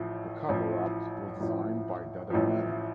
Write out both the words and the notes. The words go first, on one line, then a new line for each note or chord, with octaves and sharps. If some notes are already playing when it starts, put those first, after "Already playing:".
The cover art was designed by Dada Nana.
Already playing: A1 A2 F3
A1 A2 F3
A1 A2 F3
A1 A2 F3